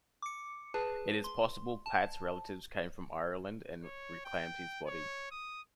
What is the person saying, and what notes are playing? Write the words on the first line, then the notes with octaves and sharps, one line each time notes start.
It is possible Pat's relatives came from Ireland and reclaimed his body.
D6 C#7
G#4 B4 A5
C6
A5
C#5
G5
C#5
D#6